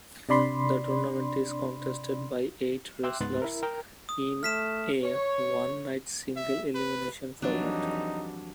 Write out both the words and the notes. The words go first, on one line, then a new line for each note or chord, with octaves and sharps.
The tournament is contested by eight wrestlers in a one-night single-elimination format.
C3 D4 D5 B5 C6
E5 G5 C6 D6 E6 F#6
C#2 G#2 B3 C6 F#6 A6
E4 A#4
A#4 G5
D#6
A3 F6 B6 E7
C#5
E5
B4
F2 E3 F#3 G3 D4 D#4